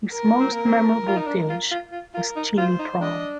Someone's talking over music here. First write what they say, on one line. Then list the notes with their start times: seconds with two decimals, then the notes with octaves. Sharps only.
His most memorable dish was Chili Prawns.
0.11 A#4
0.40 C4
0.52 A#3
0.65 C4
1.08 F4
1.17 D#4
1.27 D4
1.49 F4
1.71 F4
1.92 F4
2.14 F4 A#4
2.36 D#4
2.58 F4 C5
2.79 D#4
3.01 D4 D#5